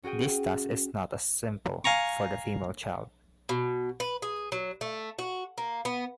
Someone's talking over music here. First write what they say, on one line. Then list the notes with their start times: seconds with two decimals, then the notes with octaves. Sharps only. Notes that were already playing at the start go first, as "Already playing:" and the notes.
This task is not as simple for the female child.
0.03 C#4 F#4 G#4 G5 D#7
1.85 F5 G#5 A#5 C#6
3.49 B2
4.00 B4
4.22 G#4
4.52 F#3
4.81 A3
5.19 F#4
5.58 A#3
5.85 B3